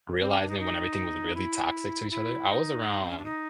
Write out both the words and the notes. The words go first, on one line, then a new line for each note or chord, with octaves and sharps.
Realizing when everything was really toxic to each other? I was around
C4
C#4
D4
D#4
D#4
E4
E4
D#4
C4
C#4
D4
D#4